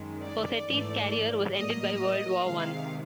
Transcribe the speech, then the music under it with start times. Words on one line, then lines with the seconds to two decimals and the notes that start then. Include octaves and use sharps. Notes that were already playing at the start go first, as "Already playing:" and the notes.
Fossati's career was ended by World War One.
Already playing: F#2 D#3 G#3
0.22 D5
0.67 G#2 E3 A3
1.55 A2 F#3 A#3 D#5
2.44 C3 D#3 G#3 F5